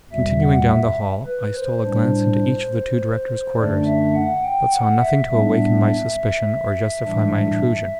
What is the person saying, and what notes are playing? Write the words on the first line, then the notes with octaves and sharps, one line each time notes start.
Continuing down the hall, I stole a glance into each of the two directors' quarters but saw nothing to awaken my suspicion or justify my intrusion.
E2 B2 G3 E5
F#5
E5
B4
C5
A2 G3 D4
F#2 D3 A3 D4 D5
E5
F#5
G5
F#5
E5
A2 G3 B3 D4 E5
A2 E3 G3 D4